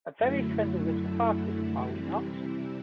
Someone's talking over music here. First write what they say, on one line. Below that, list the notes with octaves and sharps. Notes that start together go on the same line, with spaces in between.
A very friendly little party, are we not?
F#2 D3 F#3 A3 E4
C3 E3 G3 C4 E4